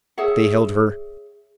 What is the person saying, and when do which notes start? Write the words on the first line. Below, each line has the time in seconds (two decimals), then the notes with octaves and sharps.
They held her.
0.18 G#4 C#5 E5 F#5